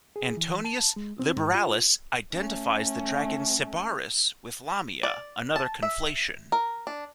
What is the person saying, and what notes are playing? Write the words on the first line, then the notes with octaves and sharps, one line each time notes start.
Antoninus Liberalis identifies the dragon Sybaris with Lamia, another conflation.
G#4
E3
A5
G#3
C4
G#2
F4
A3 C#4
D5
A5
E5
A#4
D4